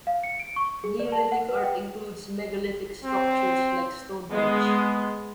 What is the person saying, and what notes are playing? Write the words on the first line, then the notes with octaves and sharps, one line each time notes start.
Neolithic art includes megalithic structures like Stonehenge.
F5
C#7
D7
C#6
G#4
D5
A5
F#5
B4
G5
C4
G#3 B3